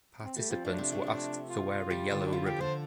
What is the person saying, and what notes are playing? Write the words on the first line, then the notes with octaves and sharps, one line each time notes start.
Participants were asked to wear a yellow ribbon.
C4
G3 A3
F3 C4
A3 D4
C3 C4
A3
A3
F4
G3
D3
D4
G3 F4
F3 G4
D3 C5